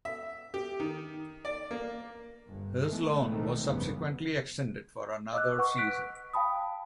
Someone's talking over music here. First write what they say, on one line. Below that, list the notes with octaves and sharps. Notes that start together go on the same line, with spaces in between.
His loan was subsequently extended for another season.
E5
G4
D#3
D5
A#3
G1 G2
E3 G#3 A3 B3
B1 A2 D#3 G#3 A3 C4
F1 C#2 G2 C#3 F3 B3
D#5 D6 E6 F#6
B4 F#5 C#6
F#6 B6 D7
F5 G5 A5 B5 D#6